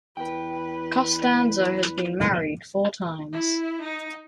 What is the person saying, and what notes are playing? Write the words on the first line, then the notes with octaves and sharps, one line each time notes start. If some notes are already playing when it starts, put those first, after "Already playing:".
Costanzo has been married four times.
E2 B4 G5
E4
D#4